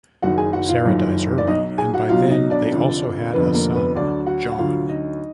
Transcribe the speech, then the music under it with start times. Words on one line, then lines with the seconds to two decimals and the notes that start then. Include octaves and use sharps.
Sara dies early and by then they also had a son Jon.
0.22 F#1 F#2 D#3 F#4 F#5
0.38 G#4 G#5
0.53 F#4 F#5
0.69 F4 F5
0.85 F#1 F#2 D#3
1.38 D5
1.47 B1 B2 F#3 D#4 D#5
1.78 G#4 G#5
1.94 F#4 F#5
2.09 B1 B2 F#3 F4 F5
2.30 D#4 D#5
2.50 D4 D5
2.72 F1 F2 D3 F3
3.34 F1 F2 D3 F3 B3 B4
3.54 A#3 A#4
3.75 B3 B4
3.95 D2 D3 F#3 D4 D5
4.26 F#4 F#5
4.52 F#5
4.58 D2 D3 F#3 F4 F5
4.89 D#4 D#5